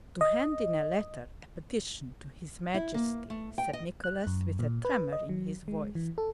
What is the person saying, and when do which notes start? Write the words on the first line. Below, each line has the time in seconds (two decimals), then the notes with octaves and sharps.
"To hand in a letter, a petition, to His Majesty," said Nicholas, with a tremor in his voice.
0.21 D#5
2.74 E4
2.94 A#3
3.30 A3
3.58 G5
3.73 D#5
4.04 F#6
4.27 F#2
4.59 A#2
4.85 B4
5.12 D#5
5.29 F#3
5.68 G#3
5.95 E3
6.18 A4